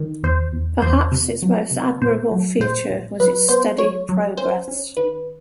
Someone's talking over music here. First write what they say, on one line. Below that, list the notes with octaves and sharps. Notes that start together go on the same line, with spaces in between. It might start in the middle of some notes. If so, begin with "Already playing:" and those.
Perhaps its most admirable feature was its steady progress.
Already playing: D#3
E2 C5
E2
E2 C5
C3
F#3
C3
A#2 C5
F#3
A#2 C5
A#2
F#3 B4
B3 C5
F#3 C#5
F#3
C#4 C5
C#4
D#3 B4